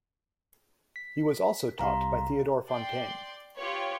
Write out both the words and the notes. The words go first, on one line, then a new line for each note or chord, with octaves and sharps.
He was also taught by Theodor Fontane.
B6
C2 C3 F5 A#5 C6
D5 G5 C6
F4 G4 B4 C#5